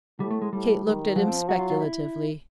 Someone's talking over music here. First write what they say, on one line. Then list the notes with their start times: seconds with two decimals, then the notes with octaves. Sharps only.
Kate looked at him speculatively.
0.20 A2 G3
0.31 A3
0.42 G#3
0.52 A2 G3
0.85 D#3
1.16 F3 F#3
1.28 C4
1.48 F#3 F#4
1.59 F4
1.70 F4
1.80 E4